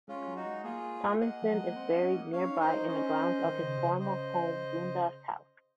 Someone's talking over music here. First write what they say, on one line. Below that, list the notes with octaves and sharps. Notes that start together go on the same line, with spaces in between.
Tomison is buried nearby in the grounds of his former home, Dundas House.
G#3 C#4 F4
F#3
D#4 F#4
G#3
A#3 F4 G#4
D#5 F#5
F3
F#3
G#3
A#3
C4
C#4
A#3
C#4 C#5 F5
D#4
C5 D#5
D#4
C#4 C5 D#5
D#3
C#3
C3
C#3
C5 D#5